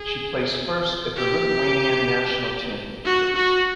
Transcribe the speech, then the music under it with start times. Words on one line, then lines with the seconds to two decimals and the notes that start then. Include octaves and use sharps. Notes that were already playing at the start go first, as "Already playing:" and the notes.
She placed first at the Lithuanian national championships.
Already playing: G#4
1.16 G4
3.05 F#4
3.36 F#4